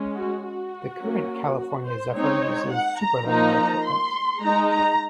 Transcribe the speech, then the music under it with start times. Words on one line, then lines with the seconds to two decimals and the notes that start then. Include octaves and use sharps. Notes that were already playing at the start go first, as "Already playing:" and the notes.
The current "California Zephyr" uses Superliner equipment.
Already playing: G#3 C#4
0.17 F#4
0.45 F#4
1.01 F#3 A#3 C#4
1.58 F#4
1.86 C5
2.14 G#3 C4 D#4 C#5
2.71 F#5
2.99 A#5
3.27 F3 A#3 D#4 A#5
3.84 C6
4.41 G#3 D#4 A#5
4.69 A#5